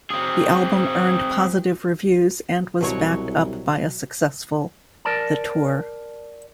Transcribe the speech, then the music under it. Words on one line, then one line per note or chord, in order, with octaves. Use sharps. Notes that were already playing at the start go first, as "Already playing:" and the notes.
The album earned positive reviews and was backed up by a successful the tour.
C4 G#4
C2 B2 F#3 C#5
A#4 D5 A5